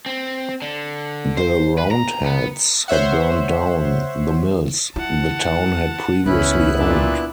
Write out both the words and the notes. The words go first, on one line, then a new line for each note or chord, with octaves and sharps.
The Roundheads had burnt down the mills the town had previously owned.
C4
D3
C5
B4
A#5
B3
C5 C#5 E5 F#5
E4 F#5 A5
C#2 B3 C#4 E4 B5 F#6
A#2 D4 E5